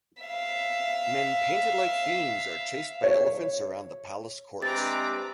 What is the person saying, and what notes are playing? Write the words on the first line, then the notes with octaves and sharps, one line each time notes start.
Men painted like fiends are chased by elephants around the palace courts.
E5 F5
C#5
C3 G#3 C4 D4 B4 A#5 D6 A6